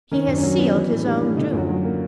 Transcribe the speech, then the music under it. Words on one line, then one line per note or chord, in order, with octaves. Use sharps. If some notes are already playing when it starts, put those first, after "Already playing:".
He has sealed his own doom.
D#3 C#4
F#2 D4
C#4
F#3
B3
E3
A2
G3 D4
A2
D3 D#4
F4
F#2 F#4
F#3
A#3